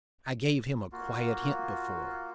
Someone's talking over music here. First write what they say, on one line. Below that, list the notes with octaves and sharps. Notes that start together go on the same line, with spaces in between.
I gave him a quiet hint before.
A#3 F4 F#4